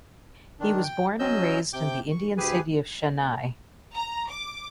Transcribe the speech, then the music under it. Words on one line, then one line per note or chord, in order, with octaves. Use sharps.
He was born and raised in the Indian city of Chennai.
D#3 D4
G5
F#3 C#4 D#5 E6 G6
C3 G5 D6 G6
C#6
D2 G4 G#4 B4 G#5
A#5
D6